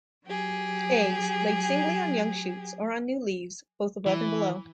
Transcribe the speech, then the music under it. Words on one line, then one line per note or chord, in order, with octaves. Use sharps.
Eggs: Laid singly on young shoots, or on new leaves, both above and below.
F#3 G4 G#4
E3